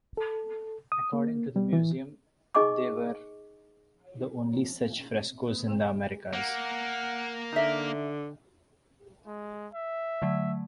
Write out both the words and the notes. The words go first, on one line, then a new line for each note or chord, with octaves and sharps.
According to the museum, they were the only such frescoes in the Americas.
A4
D#6
A#3
G3
E3
D#4 G#4 D#5 G#5 C#6 D6
A#3 F#5
D3 D#4 E5
G#3
E5
D3 F#3 A3